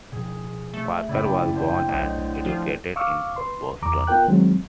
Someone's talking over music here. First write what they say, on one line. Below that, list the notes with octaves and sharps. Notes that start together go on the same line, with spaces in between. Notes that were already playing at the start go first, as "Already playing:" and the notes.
Parker was born and educated in Boston.
B2 F3 G#4
A3
F#2 C#3 E4 D5 G5
D3 C5 G5
B1 A2 D3 D#5
F3
F5 C#6 D6 E6 F6
B4 C6
E2 A#5 D6
B3 F4 A#4 G5 F#6
D#3 F#3 G#3 C4